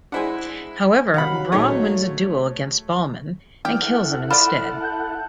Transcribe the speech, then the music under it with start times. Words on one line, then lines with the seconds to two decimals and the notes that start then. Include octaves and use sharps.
However, Bronn wins a duel against Balman and kills him instead.
0.12 G#3 D4 E4 C5 F#5 G#5
1.14 C3 D#3 F#3 F5 F#5 B5
1.52 A#1 G#3 A3 D#4 C#5 D#6
3.65 E3 B3 D4 G4 F6
3.81 E4 A4 F#5
4.31 F4 D5 B5 F6
4.80 A5 F#6 G6